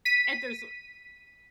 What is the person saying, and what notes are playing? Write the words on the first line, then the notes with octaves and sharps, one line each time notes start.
And there's I
B6 D#7